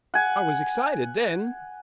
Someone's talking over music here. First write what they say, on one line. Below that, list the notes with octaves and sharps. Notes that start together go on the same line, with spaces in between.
"I was excited then."
F#5 G#5